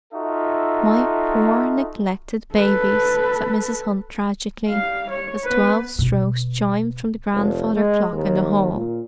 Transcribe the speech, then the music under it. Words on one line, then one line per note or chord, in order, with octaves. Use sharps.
"My poor, neglected babies!" said Mrs. Hunt tragically, as twelve strokes chimed from the grandfather clock in the hall.
D#4 F4 F#4 A4 E5
A4 B4
G3 F5
C#5
B3 B4
B2
F1
G#3
D#2
A#2